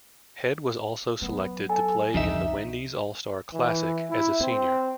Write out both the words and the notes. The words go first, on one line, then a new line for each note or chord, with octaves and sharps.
Head was also selected to play in the Wendy's All-Star Classic as a senior.
F#3 B3
A4 G#5
C2 F2 D3 D#4 E5
E3
E4
C4